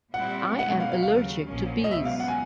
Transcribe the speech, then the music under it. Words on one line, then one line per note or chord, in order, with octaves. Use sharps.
I am allergic to bees.
A#2 G3 C4 E4 F#5
B2 G#3 C#4 E4 F#5
F#5
F5
F5
D#2 C#3 F#3 F5
A#1 A#2 F3 A#3 C#4
D#5
C#2 B2 F#3 E5
F5
F#5
G#5